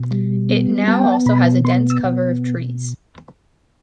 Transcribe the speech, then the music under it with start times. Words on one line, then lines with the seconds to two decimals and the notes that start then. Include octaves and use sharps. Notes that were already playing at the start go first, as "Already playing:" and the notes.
It now also has a dense cover of trees.
Already playing: B2
0.11 G3
0.49 B3
0.88 B3 A5
0.99 G5
1.12 A5
1.26 B2 B5
1.65 B3 C6
1.90 E6
2.04 B2